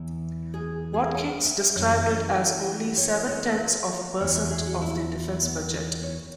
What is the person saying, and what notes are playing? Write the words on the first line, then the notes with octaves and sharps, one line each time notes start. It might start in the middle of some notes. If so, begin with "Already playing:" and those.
Watkins described it as only seven-tenths of a percent of the defense budget.
Already playing: E2 E3 E4
G#4
G#4
C#5
E5
F#2 E3 C#5
C#5
C#5
E2 E3 C#5
E5
G#4
F#4
E4
B3
C#5